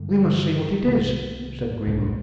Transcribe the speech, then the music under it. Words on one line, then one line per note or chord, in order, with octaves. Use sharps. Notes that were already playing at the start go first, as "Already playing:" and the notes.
"We must see what it is," said Grimaud.
Already playing: G2 D3 A3
C2 C3 D#3 A#3
C2 A#2 G3 D4